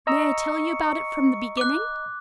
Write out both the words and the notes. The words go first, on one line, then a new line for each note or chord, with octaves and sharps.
'May I tell you about it from the beginning?'
D#5 A#5 C#6 E6
D6 F#6